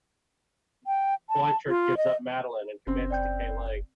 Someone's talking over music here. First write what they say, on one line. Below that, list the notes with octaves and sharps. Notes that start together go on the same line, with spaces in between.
Bleichert gives up Madeleine and commits to Kay Lake.
G5
A5
F4
D#5
F#1 C#3 C4
D5 G5 G6